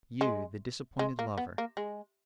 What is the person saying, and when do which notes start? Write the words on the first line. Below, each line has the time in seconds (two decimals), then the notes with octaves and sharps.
'You, the disappointed lover?
0.21 G#3
0.99 G#3
1.19 A#3
1.38 B3
1.58 A#3
1.77 G#3